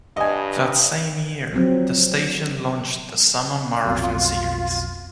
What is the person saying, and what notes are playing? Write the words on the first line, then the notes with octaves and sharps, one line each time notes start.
That same year, the station launched the Summer Marathon Series.
G2 D#5 G#5
F3 F#3 C4
B1 F2 B2 F4